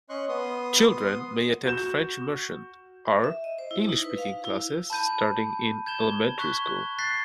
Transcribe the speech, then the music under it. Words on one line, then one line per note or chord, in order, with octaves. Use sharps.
Children may attend French immersion or English speaking classes starting in elementary school.
C#4 D#5 C6 C#6 F#6
B3 C6 D#6
F#4 G6 E7
E5
D#5
C5
E4
D#4
B4
F5
E4
A5 B5 G6 D#7
G6 G#6 E7 G7
C#6 F#6 G#6 B6 G7
F#6 G#6 A6 B6 C7